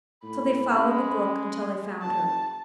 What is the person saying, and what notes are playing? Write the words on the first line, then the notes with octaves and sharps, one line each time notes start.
So they followed the brook until they found her.
A2 B5
G#3 C#4
F#1 A5